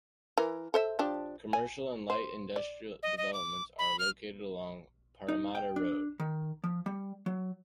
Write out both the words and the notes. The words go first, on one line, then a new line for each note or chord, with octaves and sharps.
Commercial and light industrial developments are located along Parramatta Road.
E3 A#4
A4 C5 E5
F3 D4 G4
G#5
C5
D5
D#5
D#5
D6
B5
F6
D#4
G5
D4
D#3
F3
G3
F#3